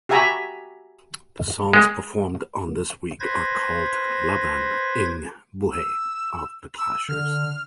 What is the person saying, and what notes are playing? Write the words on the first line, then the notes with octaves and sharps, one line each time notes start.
The songs performed on this week are called "Laban ng Buhay" of the clashers.
F#4 G4 E5 G#5 A#5 B5
G#3
B4 C5 G#6 A#6
E6
E6
D3 F6